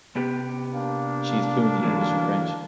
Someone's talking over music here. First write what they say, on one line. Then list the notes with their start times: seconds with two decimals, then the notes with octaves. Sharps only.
She is fluent in English and French.
0.15 C3 B3 G4
0.73 A#3 D4 F5
1.83 D3 E3 F#3